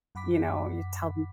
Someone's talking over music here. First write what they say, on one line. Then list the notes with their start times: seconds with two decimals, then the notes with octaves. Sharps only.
you know, you tell them
0.15 F#2 F#5 B5 D6 B6